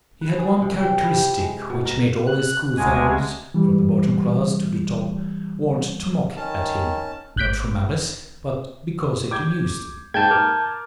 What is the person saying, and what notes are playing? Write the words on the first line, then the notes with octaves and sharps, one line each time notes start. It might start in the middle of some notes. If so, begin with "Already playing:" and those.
He had one characteristic which made all his schoolfellows from the bottom class to the top want to mock at him, not from malice but because it amused them.
B4
G#4
C3
C4
E4
G4
G#3
B2
A#4
F#6
D2 G#3 G#5
E3 G3
D#3 C#4 A5
G#1 F#6 G6 B6 D7
D6 G6 G#6
G#2 A#3 G5 A5 G6 G#6
A#4 D6 F6